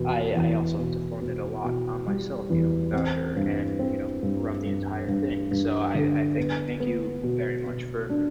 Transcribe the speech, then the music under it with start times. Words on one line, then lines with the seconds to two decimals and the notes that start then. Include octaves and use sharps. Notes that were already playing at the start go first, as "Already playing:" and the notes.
I I also have to fund it a lot on myself, you know, founder and, you know, run the entire thing, so I I think thank you very much for,
Already playing: E2 B2
0.36 E2
0.79 B2
1.21 B2
1.64 B2
2.07 G3
2.50 E2
2.93 C4
3.36 G2
3.79 C4
4.22 G2
4.65 G2
5.08 G2
5.51 G2
5.95 D3
6.37 B3
6.80 B3
7.23 B2
7.66 B2
8.09 D4